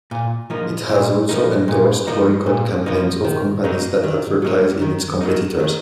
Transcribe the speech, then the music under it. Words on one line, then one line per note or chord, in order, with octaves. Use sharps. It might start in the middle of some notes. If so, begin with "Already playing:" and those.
It has also endorsed boycott campaigns of companies that advertise in its competitors.
A#2
F3 A#3 D#4
A#2
F3 A#3 D#4
A#2
F3 A#3 D#4
A#2
F3 A#3 D#4
D#3
F#3 A#3 D#4
D#3
F#3 A#3 D#4
D#3
F#3 A#3 D#4
D#3